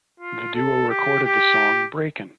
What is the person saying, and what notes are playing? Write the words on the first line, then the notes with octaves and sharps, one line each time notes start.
The duo recorded the song Breakin'...
F4
A4
G4
G4